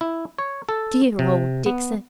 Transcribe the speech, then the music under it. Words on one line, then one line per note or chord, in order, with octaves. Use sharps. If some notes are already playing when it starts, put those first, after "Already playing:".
'Dear old Dixon!
E4
C#5
A4
C3
B3